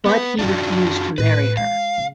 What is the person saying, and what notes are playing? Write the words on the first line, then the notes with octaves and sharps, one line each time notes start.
But he refused to marry her.
B3 C4 B4
F#2 D4 D#4 F4 F#4
A2 B4
G#3 F5
C#3